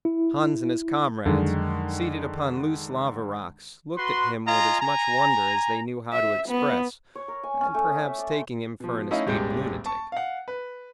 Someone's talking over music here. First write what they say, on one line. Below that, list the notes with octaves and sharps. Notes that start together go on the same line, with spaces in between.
Hans and his comrades, seated upon loose lava rocks, looked at him with as much wonder as they knew how to express, and perhaps taking him for an escaped lunatic.
E4
F2 D3 D#3 F#3 G#3
F#4 B4 C6
F4 D#5 F5 G#5 A#5
G#5 A#5
E5
B3
C#5
A#4
G#5
C#4
A3
D#6
E5
D5
C6
B2 F3
A3 C#4 D#4 E4 D#5 F5
E1 A1 G3 G#3 G6 D7
A5 C#6
F5 F#5
B4